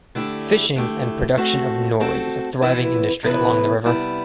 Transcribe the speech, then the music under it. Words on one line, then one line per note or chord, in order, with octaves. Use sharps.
Fishing and production of nori is a thriving industry along the river.
D3 A3 E4 G4
D3 A3 E4 G4
A3 C4 F#4 A4
A3 C4 F#4 A4
C3 E3 B3 E4 B4
C3 E3 B3 E4 B4
C3 G3 B3 E4